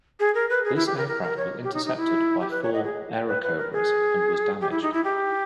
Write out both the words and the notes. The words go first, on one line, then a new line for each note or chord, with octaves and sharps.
This aircraft was intercepted by four Airacobras and was damaged.
G#4
A#4
B4
G#4
E4
G4
A#4
A#4
A#4
C#5
G4
D#4
D#4
E4
G4
B4
C#5
D#5
G#4
G5
B4
B4
A#4
G#4
G4
E4
D#4
E4
G4